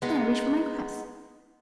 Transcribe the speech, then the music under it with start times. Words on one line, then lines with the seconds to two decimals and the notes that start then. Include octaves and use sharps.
Then I reached for my glass.
0.02 G#3 B3 D#4